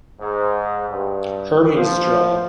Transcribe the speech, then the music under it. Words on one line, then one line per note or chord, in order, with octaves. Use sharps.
Hermes Jaw.
G#2
G2
F3